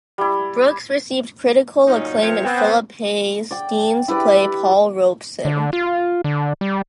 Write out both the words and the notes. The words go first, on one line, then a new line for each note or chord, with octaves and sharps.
Brooks received critical acclaim in Phillip Hayes Dean's play "Paul Robeson".
G3 E4
A#2 F#3 C#4 D#4
F2 F3 C4 E4 A#4 C#5
B3 C4 C5
D5 G5
E4 G4 B4 D5
D3
F4
D3
G3